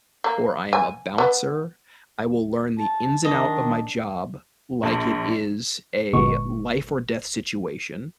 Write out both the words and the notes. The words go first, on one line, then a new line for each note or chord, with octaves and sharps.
or I am a bouncer, I will learn the ins and out of my job, like it is a life-or-death situation,
A#3
G#5
B3
A5
D#3 D4 D#5
A#1
G1 A#2 G#3 B3 C#6